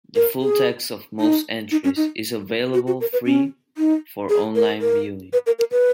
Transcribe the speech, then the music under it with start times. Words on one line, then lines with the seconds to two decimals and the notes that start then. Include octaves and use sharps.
The full text of most entries is available free for on-line viewing.
0.16 A#4
0.42 G#4
1.20 D#4
1.72 D#4
1.84 C#4
1.96 D#4
2.74 F#4
2.87 F#4
3.01 A#4
3.13 B4
3.26 C#4
3.77 D#4
4.29 G#4
4.55 A#4
4.81 A#4
5.33 B4
5.46 A#4
5.59 A#4
5.72 B4